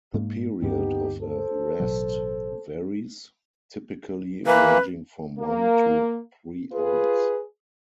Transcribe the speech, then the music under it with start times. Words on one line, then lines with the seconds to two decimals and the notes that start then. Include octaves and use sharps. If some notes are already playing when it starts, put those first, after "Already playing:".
The period of a "rest" varies, typically ranging from one to three hours.
0.14 G#2 G#3 A#3
0.62 D2 G2 B3 C4 D#4 G4
1.21 A4 C5
1.80 A1 B2 F#3
4.46 E3 A#3 B4
5.39 A#3
6.72 F4 G#4 B4